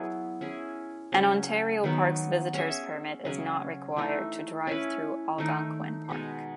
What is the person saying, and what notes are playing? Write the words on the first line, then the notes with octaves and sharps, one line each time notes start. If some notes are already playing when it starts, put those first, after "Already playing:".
An Ontario Parks visitor's permit is not required to drive through Algonquin Park.
Already playing: F#3 B3 E4 G#4
C#4 E4 G#4
C#3 F#3 C#4
D#3 F#3 B3
C#4 G#4 C#5 E5
C#3 F#3 C#4 G#4
E3 A3 D#4
C#4 E4 B4
D#3 A3 D#4
B2 G#3 D#4